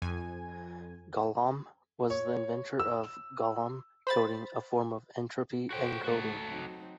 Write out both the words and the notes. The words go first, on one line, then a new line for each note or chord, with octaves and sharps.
Golomb was the inventor of Golomb coding, a form of entropy encoding.
F2 G#5
C#5
E6
C5 B5 A6
F#4 A4 C5 C#5 G5
A2 F#4 A4
F#3 C4 D#4